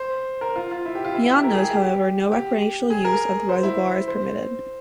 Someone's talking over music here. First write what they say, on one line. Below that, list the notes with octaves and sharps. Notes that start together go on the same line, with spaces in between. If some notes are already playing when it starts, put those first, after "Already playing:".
Beyond those, however, no recreational use of the reservoir is permitted.
Already playing: C5
A#4
F4
F4
E4
G4
F4
E4
E4
G4
A#4
G#4
G4
G4
G4
G#4
A#4
C5
E4
C5